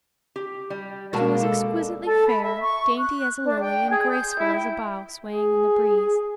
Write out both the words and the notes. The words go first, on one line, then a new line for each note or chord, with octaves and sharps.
She was exquisitely fair, dainty as a lily and graceful as a bough swaying in the breeze.
G4
G3
B2 G#3 A#3 F#4 A#4 A5
D4 A4
A4
B5
E5
C#6
F#6
D4
G5
G#4
G6
E4
G5
G#4